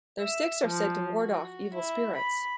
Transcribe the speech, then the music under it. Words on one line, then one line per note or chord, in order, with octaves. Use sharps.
Their sticks are said to ward off evil spirits.
E5
F3
F#4
E4
B5